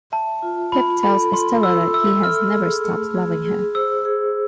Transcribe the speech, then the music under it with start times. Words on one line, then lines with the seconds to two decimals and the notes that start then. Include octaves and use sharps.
Pip tells Estella that he has never stopped loving her.
0.12 E5 A5
0.43 F4
0.72 F4 B5
1.03 A4 B5
1.33 F4 C6
1.63 A4 E6
1.93 E5 E6
2.23 A4 F6
2.54 G#4
2.85 A3
3.15 G#4
3.45 G#4
3.75 C5 E6
4.05 G#4